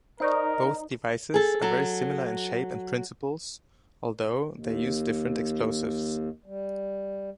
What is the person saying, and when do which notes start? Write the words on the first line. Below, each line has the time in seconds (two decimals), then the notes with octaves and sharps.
Both devices are very similar in shape and principles, although they use different explosives.
0.20 D#4 A#4 C5 D5 C#6
1.34 G#4 A4
1.62 F#3 A4
4.54 D#2
6.46 G3